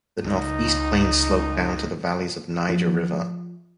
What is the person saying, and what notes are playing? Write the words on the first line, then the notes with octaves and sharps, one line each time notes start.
The northeast plains slope down to the valleys of Niger river.
C#2 D#4
F3